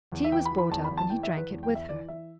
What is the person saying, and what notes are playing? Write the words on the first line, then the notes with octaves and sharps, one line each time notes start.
Tea was brought up, and he drank it with her.
E2
E5
E3 G5
B5
E3
B5
E2 A5
B5
E2
A5
E3 G5
E5
E3
B4
E2
G5
E2
E5
E3 D5
E3 E5